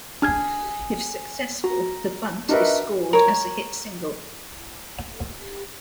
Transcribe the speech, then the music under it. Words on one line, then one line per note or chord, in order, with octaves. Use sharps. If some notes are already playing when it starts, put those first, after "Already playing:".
If successful, the bunt is scored as a hit single.
D4 G#4 F6 G#6
F#4 A#5
D4 D#4 F#4 A#4 B4 E5
A#4 C#5